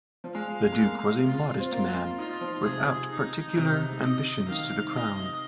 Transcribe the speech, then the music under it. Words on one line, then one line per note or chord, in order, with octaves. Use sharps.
The duke was a modest man without particular ambitions to the crown.
F3
G#3 F5
G#3
A#3
F4
C4
A#3
D#4 F4
F3
C3 G#4
D#4
C3
D#5
D#3 F5
D#5